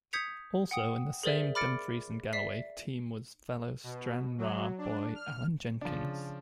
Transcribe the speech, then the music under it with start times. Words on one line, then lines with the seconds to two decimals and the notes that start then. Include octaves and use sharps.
Also in the same Dumfries and Galloway team was fellow Stranraer boy Allan Jenkins.
0.13 D#6 G6 G#6 B6 C#7 F7
0.71 F#5 G5 D#6
1.23 G#4 A#4 C5 D5 E5
1.55 B5 D6 F6 A6 C#7 D7
2.33 D5 E5 B6 C7
3.84 B2
4.38 F#3
4.78 D4
5.15 F6
5.82 C#3 F3 D4